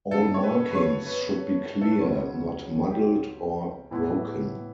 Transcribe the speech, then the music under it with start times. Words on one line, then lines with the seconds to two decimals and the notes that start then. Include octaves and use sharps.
All markings should be clear, not muddled or broken.
0.11 F#2 C#3 F#3 A4
0.34 C#5
0.44 B4
0.71 B4
0.75 C#5
1.06 B4
1.81 A4
1.92 B4
2.01 C#2 C#3 F#3 B3 C#5
2.91 G4
2.96 F#4
3.91 A2 E3 B3 E4